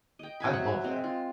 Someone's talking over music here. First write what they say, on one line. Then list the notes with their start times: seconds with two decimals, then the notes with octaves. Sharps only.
I love that.
0.19 D#5 G5
0.40 F#3 C5 G#5 B5
0.54 E5 F#5
0.84 G#3 C4
1.04 F4